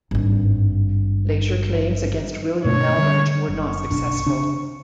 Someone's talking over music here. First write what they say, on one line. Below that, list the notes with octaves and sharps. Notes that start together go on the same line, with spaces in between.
Later claims against William and Albert were not successful.
G#1 G2
G2 B2 A3 C#5
D3 G3
F#1 C#6
F#1 B1 D4
C#3 D4